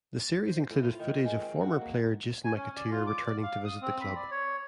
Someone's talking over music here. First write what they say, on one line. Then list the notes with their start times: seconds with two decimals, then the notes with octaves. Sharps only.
The series included footage of former player Jason McAteer returning to visit the club.
0.46 C5
0.71 A2
0.83 F4
1.00 D#3
1.25 G#3
1.42 C4
1.61 F#4
1.81 A#3
2.44 G#5
2.56 C#4
2.76 D5
2.91 F4
3.07 D6
3.26 D5
3.43 F5
3.65 D#6
3.81 C4
4.01 B5
4.15 D5
4.31 C#5